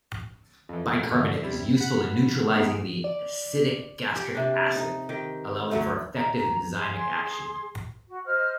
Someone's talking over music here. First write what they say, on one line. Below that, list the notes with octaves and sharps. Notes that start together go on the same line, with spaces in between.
Bicarbonate is useful in neutralizing the acidic gastric acid, allowing for effective enzymic action.
F2 E3
F2 B2 D3 E3
C3 G3 E4
F#5 B5
G#3 B3 D#4
D5
G4
C3 D4
D#4
D#3 G4
D3 F#3 A3
A#5
G#4 C6
F#4
C5 D#5 F6